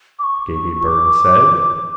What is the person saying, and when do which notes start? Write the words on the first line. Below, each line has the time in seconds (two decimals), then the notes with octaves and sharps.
Davy Byrne said...
0.19 D6
0.24 C#6
0.86 D6